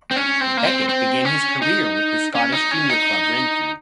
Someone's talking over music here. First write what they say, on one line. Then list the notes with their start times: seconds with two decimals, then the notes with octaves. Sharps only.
Beckett began his career with Scottish junior club Renfrew.
0.11 C4
0.16 C#4
0.41 C4
0.57 A#3
0.65 C4
0.89 C4
1.25 C#4
1.62 D#4
2.35 C#4
2.52 D#4
2.71 C#4
2.89 D#4